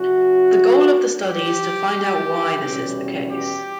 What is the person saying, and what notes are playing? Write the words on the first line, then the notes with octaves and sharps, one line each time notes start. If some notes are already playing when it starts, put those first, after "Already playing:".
The goal of the study is to find out why this is the case.
Already playing: C#3 F#3 C#4 E4 F#4
G4
E2 B2 G3 C#4 E4
G4